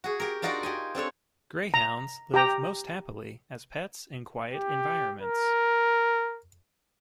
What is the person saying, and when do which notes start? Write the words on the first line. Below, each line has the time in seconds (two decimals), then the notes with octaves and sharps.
Greyhounds live most happily as pets in quiet environments.
0.04 F#4 G#4
0.20 G4 A#4
0.42 D4 D#4 F4 F#4 A#4 D5
0.63 G4 D#5 G#5
0.95 C4 D4 A4 C#5
1.74 A#5
2.34 G4 G5 A#5
4.54 G4
5.22 A#4